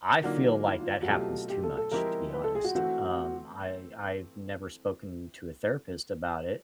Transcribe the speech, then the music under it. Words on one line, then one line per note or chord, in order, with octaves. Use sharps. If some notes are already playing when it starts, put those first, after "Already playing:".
I feel like that happens too much, to be honest, um, I I've never spoken to a therapist about it
D3 F#3 A#3 D4 D#4 F4
E4
F4
F#4
B2 F#3 A3 C4 F4 G4
G4
A4
A4
F3 G#3 C4 E4 G4 A#4
B4
A4
G#4
F#4
E3 A3 C4 F#4